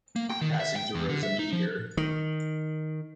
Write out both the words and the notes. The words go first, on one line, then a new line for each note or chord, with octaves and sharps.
Passing through as a meteor.
A#3
G5
D#3
E5
G5
E2
D3
E5
D#4
F3
D#3